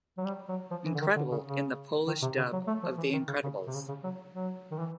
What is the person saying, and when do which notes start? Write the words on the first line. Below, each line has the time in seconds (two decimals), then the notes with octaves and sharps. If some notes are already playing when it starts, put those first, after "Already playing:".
Incredible in the Polish dub of "The Incredibles".
0.18 F#3
0.24 G3
0.48 F#3
0.71 F3
0.85 E3
0.94 D3
1.01 D#3
1.16 D3
1.31 C#3
1.46 C#3
2.07 D#3
2.22 C3
2.37 C#3
2.53 F#3
2.67 A3
2.83 F3
2.98 E3
3.13 D#3
3.27 C#3
3.43 C#3
3.67 C3
3.74 C#3
3.88 C#3
4.04 F#3
4.34 F#3
4.71 D#3
4.79 E3